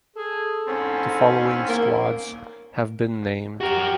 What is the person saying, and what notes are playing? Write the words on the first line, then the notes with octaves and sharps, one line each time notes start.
The following squads have been named.
G#4 A4
E2 G#2 C4 C#4
A#3
F#4 G4 A#4